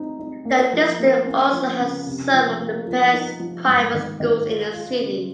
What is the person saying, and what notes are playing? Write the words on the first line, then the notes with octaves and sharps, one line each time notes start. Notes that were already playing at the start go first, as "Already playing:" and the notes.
The district also has some of the best private schools in the city.
Already playing: C4 D#4
D#4
A#3
F3
A#3
C#4
F3
C#3
C3
F3
A#3
F3
D#4
F3
G#2
D#3
D#3
F4
F4
C#3